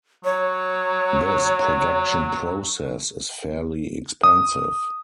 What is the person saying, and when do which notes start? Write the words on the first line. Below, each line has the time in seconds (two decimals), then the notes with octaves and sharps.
This production process is fairly expensive.
0.25 F#3 C#5
4.23 D#6